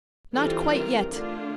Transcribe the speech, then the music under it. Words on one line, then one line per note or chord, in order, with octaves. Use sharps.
Not quite yet.
E3 G3 C4 F4 A4
A#4
D3 A3 D4 F4